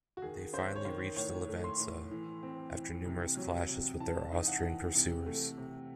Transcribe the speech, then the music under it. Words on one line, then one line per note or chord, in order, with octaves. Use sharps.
They finally reached the Livenza after numerous clashes with their Austrian pursuers.
F#4
D#3 G#4
C#4 C5
C#5
D#3 C5
A2 C#5
A3
C6
A2
E3
C4
E3
C3
F#3
C3
E3 A5
D#4
F#5
E3
C3
A3
C3